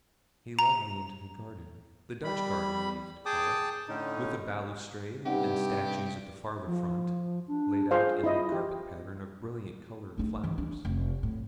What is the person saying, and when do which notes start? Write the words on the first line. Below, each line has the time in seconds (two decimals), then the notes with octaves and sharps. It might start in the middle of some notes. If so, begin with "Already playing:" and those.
He led me into the garden--the Dutch garden, we used to call it--with a balustrade, and statues at the farther front, laid out in a carpet-pattern of brilliantly-coloured flowers.
0.59 A#5
2.24 G3 B5
3.26 G#4 G5 A5 D6 D#6
3.88 A2 D3 C#4 D#4
5.26 G2 C3 G3 C#4 D#4 G4 F#5
6.66 F3
7.48 D4
7.91 F4 G#4 C5 F5
8.24 E4 D#5
8.52 G4
10.18 A3 D#4
10.44 E3
10.58 D4
10.85 F1
11.23 A2